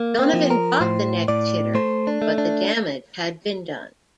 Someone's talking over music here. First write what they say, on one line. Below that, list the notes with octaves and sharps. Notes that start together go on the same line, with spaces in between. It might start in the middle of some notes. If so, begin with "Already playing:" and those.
Donovan got the next hitter, but the damage had been done.
Already playing: A#3
C4
F3
A#4
A2 C5
A2 D5
A3 C5
D4
A3
D4